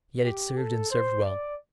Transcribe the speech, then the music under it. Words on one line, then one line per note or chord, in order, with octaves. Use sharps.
Yet it served and served well.
G4
A4
C5
D5